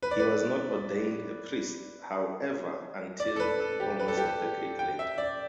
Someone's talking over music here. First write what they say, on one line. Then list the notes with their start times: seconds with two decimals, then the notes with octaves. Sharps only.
He was not ordained a priest, however, until almost a decade later.
0.03 B4
0.11 D5
0.19 B4
3.20 D5
3.36 A4
3.40 B4
3.60 A4
3.80 G4
3.99 B4
4.08 A4
4.17 G4
4.26 A4
4.79 G5
4.99 E5
5.18 D5